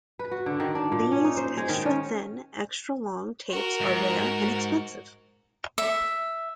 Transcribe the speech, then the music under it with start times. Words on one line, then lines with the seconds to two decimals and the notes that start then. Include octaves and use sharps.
These extra-thin, extra-long tapes are rare and expensive.
0.19 B4
0.31 F#4
0.46 D3
0.60 D#3
0.75 D4
0.92 A#2
1.12 C#4
1.24 D#4
1.37 C5
1.57 G#3
1.69 D#3
1.86 C#4
3.50 F#4 A#4
3.81 G#2
5.78 E5